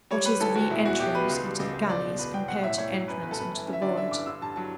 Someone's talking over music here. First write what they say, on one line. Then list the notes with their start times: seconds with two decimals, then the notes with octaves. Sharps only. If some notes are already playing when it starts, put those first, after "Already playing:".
What is a re-entrance into the galleys, compared to entrance into the void?
0.11 G3 C#5
0.25 G3 B4
0.41 D2 A4
0.55 D2 F#4
0.70 E1 E4
0.85 E2 F#4
0.99 B2 G4
1.15 B2 B4
1.29 C#2
1.45 G3
1.59 C#2
1.74 C#2
1.88 E1 D5
2.04 B2
2.19 E1 B4
2.33 E1 G5
2.48 B1 F#5
2.63 A2 E5
2.78 A2 C#5
2.92 F#3
3.08 F#2 B4
3.22 G1 B4
3.31 A4
3.38 G1 B4
3.53 E3
3.68 C#4
3.73 E5
3.82 D3 D5
3.97 D3 E5
4.11 G2 D6
4.26 D3 E6
4.42 G2 A5
4.56 F#3 A5